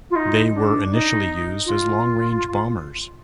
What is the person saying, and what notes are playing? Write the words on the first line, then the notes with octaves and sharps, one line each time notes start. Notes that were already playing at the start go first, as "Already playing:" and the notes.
They were initially used as long-range bombers.
F4
D#4
D4
D#4
F4